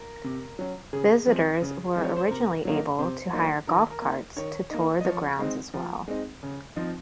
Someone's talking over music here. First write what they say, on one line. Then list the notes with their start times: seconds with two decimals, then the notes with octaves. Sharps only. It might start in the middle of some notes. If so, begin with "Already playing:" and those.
Visitors were originally able to hire golf carts to tour the grounds as well.
Already playing: A#4
0.24 C3
0.59 F#3 C#4
0.93 C#3 G#4
1.27 F3 G#3 C4
1.62 C#3
1.96 F3 G#3 C4
2.04 C#5
2.17 C5
2.30 C3 A#4
2.65 F#3 A#3 D#4
2.99 C3 C5
3.33 F#3 A#3 D#4
3.67 D#3 A#4
3.90 A#4
4.02 A#3 D#4
4.37 D#3 C#5
4.70 A#3 D#4
5.01 D#5
5.05 F3 C#5
5.39 G#3 C4 D#4
5.74 F3
6.08 G#3 C4 D#4
6.43 C#3
6.76 F3 C4 D#4